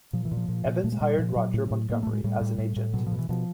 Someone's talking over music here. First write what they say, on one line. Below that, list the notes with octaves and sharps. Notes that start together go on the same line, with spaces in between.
Evans hired Roger Montgomery as an agent.
A#2 F3
E3
A#2
F3
A#2
A#2
A#2 A3
G#3
A#2 G3
A#2 F3
A#2 F#3
A2
A2
A2 A#3
A2 A3
G#3
A2 G3
A2
A2
A2
B2 F#3
F3
B2
E3
B2 F3